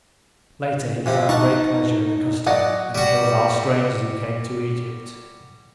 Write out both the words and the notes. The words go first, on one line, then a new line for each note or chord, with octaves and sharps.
Later he found great pleasure in the custom and killed all strangers who came to Egypt.
F2 C3 C4
D#4 F#5 A5 C#6
F#3 D5 D#5 F#5
G3 F#4